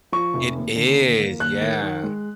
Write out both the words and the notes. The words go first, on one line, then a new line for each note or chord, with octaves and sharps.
It is. Yeah.
F3 C#6
F1
D#2
D3
D#2
A#3
D#2 F#6
D#3
D#3
G#3